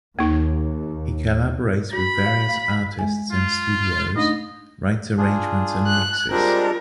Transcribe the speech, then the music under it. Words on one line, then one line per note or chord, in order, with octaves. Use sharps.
He collaborates with various artists in studios, writes arrangements and mixes.
D#2 A#3 D#4
F#4 B5
F5
F5
G#3 G#5
F4
A3 D4 D#4 D#5
D4 F4 G#4
F#6
G3 G#3 C4 D4 F4 A#4 C5 F#6